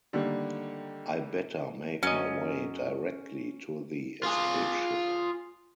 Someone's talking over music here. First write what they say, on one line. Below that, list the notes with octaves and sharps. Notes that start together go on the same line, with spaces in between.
I better make my way directly to the escape ship!
D3 D#3 G3 A3 A#3
F#2 C#4 D#5
F4 G#4